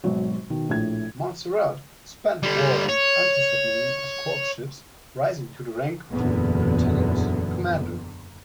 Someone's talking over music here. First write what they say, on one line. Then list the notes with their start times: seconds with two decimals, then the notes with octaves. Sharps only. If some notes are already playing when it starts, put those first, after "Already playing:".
Monsarrat spent the war in anti-submarine escort ships, rising to the rank of Lieutenant-Commander.
0.04 G#1 B2 F#3
0.50 B2 D#3
0.69 A#1 A2 G#6
2.43 D3 G3
2.89 C#5
6.11 F#1 E2 A#2 D3 B3